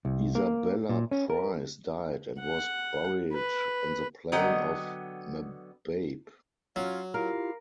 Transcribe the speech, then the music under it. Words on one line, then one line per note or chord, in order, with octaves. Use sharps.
Isabella Price died and was buried on the plain of Mababe.
C2
A#3
A#2
C#4
A#4
F#5
B4
D3 F#3 B3 D#5 G5
F#3 C#4 F4
E4 F4 G4 A#4 F5